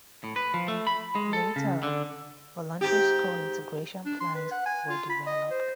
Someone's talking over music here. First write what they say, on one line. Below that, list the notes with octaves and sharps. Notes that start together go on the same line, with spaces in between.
Later, voluntary school integration plans were developed.
A2
B4
F3
A3
B5
G#3
A4
C#3
D3
G#2 G4
D4
C6
B4
F#5
G#5
F4
B5
D#5
C5